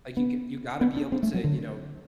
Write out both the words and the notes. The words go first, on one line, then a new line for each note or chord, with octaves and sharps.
like, you g you gotta be able to, you know,
B3
B3
D4
C4
A3
F#3
D3